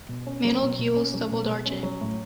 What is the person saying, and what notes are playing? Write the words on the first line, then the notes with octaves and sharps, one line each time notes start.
Mantled gules doubled argent.
B2
C#4
F#3
B2
B2
C#4
F#3
B2
B2
C#4
F#3
A2